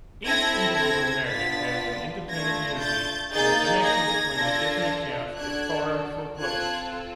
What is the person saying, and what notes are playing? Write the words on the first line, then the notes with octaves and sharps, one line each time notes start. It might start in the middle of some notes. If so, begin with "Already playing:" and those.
Each individual narrative has an independent unity and the connection between the different accounts is far from close.
C4 E4 A4 G#6 A#6
G#6 A#6
B3 D4 F4 A6 B6
A3 D4 F4 G#6 A#6
G6 A6
A#3 D#4 G#4 G6 A6
G#6 A#6
D4 F4 A4
D4 F#4 A4 F#6 G#6
C4 F4 A4 F#6 G#6